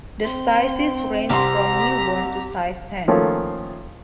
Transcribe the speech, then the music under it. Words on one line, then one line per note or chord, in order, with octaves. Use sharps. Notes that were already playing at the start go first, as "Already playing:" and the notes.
The sizes range from newborn to size ten.
C4 C6
C2 G4 A#5 C6
D#3 F3 A3 A#3 C#4 F4